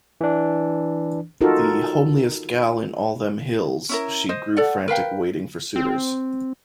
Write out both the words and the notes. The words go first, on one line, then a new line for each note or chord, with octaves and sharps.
The "homeliest gal in all them hills," she grew frantic waiting for suitors.
E3 D4
D#4 F4 F#4 A4 A#4
C#4 E4 A#4
C5 D#5
A4 D5 F#5
A#4 B4 F5 G5
C4